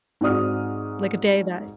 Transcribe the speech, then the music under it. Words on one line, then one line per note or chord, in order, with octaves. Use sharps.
like a day that,
G#2 C4 F#4 D5 D#6 F6